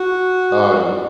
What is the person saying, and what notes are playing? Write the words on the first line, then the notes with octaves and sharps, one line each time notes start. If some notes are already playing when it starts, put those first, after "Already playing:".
Oh, geez
Already playing: F#4